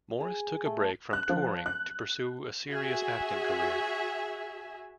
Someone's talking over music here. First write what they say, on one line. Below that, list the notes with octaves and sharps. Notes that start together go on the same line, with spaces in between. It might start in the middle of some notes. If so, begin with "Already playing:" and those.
Morris took a break from touring to pursue a serious acting career.
G#4
A3
F#6
F3
F#6
F#4 G#4 E5 G#5